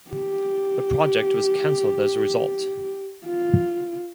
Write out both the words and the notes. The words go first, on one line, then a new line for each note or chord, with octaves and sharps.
The project was canceled as a result.
G4
F4